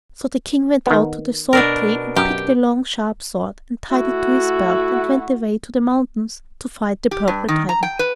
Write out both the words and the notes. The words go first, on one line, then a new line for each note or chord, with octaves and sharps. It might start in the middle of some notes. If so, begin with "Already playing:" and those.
So the King went out to the sword-tree and picked a long, sharp sword, and tied it to his belt and went away to the mountains to fight the Purple Dragon.
D#3 B3
B2 D4 A#4
F#2 G4
A3 E4 F#4
G4
G2
D#3
A#5
G5
B4